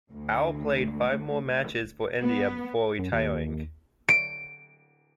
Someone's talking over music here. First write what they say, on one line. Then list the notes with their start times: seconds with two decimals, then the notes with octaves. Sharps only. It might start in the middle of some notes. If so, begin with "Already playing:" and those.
Ao played five more matches for India before retiring.
0.12 D2
2.21 B3
2.99 F#2
3.12 D#2
4.09 D7